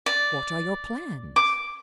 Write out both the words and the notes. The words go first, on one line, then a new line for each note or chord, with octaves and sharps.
What are your plans?
D5
D6